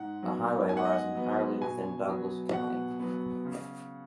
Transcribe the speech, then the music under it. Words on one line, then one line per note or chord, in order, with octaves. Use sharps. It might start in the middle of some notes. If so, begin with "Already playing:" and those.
The highway lies entirely within Douglas County.
Already playing: G#2 F#5
F#3 B3
G#2 G#5
F#5
D#5
F#5
F#3 B3
B2 G#5
F#3 B3
B2 F#5
F#3 B3
C#3